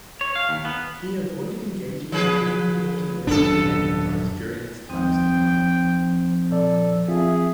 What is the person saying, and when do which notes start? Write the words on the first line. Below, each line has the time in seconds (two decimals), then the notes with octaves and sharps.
He avoided engaging in any important military enterprise during his time as commander.
0.21 C#5
0.36 F5
0.49 D#2
0.65 B3
2.12 F3 G#4 B4
3.27 D#1 F#2 B3 D4 A4
4.89 D#2 F3 C4 D#4 G5
6.51 A#2 A4 D5
7.08 F3 C4 F4 G#4 E5